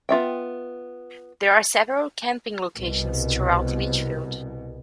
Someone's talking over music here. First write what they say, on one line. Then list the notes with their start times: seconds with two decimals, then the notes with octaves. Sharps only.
There are several camping locations throughout Litchfield.
0.09 B3 F4 E5 G5
2.77 C2 B2